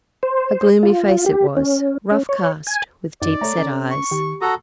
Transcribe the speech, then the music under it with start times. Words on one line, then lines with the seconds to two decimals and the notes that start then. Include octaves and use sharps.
A gloomy face it was, rough-cast, with deep set eyes.
0.23 C5
0.83 F4
1.26 G4
1.57 C#4
2.11 C#4
2.29 C#5
2.67 G#5
3.22 F#2 D#4 D5
3.41 A3 A4 C#5 A#5
3.58 C#4
3.91 C#6
4.11 D#3 G4
4.41 F#4 A4 A5 A#5 D#6